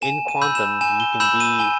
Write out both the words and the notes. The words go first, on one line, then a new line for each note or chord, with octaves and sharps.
In quantum, you can be
G#5 E7
D#7
B5 E6 G6
E7
G#5 E7
G7
B5 E6 G6 E7
D#7
G#5 G7